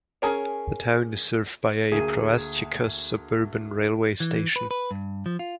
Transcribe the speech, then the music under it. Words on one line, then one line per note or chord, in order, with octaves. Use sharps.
The town is served by a Proastiakos suburban railway station.
C#4 D4 G#4 A#4 C#5
D2 A#3 G#4 D#7
E3
B4
B4
G2
F3
F4